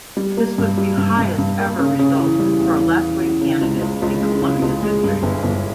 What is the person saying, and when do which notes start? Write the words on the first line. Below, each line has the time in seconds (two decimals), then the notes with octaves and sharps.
This was the highest ever result for a left-wing candidate in Colombia's history.
0.17 G3
0.37 A#3
0.58 G2
0.77 G3
0.98 G2
1.18 G2
1.38 G2
1.60 A#3
1.79 C#3
1.99 C#3
2.19 E3
2.39 G3
2.60 E2
2.80 E3
3.01 E3
3.21 E3
3.41 C#3
3.61 C#2
3.81 C#2
4.02 C#2
4.22 G#3
4.42 C#3
4.62 C#2
4.83 G#3
5.04 G2
5.23 G1
5.44 G1